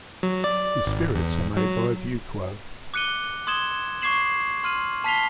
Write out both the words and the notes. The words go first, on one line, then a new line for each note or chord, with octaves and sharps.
The spirits are made by VuQo.
F#3
D5
G#1
E2
F#3
D6 F#6 C#7 D#7 G7
C6 D#6 G#6 E7 G7
C#6 D6 G#6 C7 E7 F#7
C6 F6 D#7 F#7
A5 F6 B6 C7 F7 G7